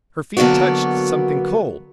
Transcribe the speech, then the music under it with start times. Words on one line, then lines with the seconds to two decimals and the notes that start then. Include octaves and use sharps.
Her feet touched something cold!
0.37 D3 F#3 A#3 B3 F#4